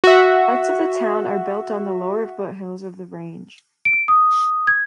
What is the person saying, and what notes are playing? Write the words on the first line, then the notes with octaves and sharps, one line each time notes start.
Parts of the town are built on the lower foothills of the range.
F#4 E5
D7
D#6
G#6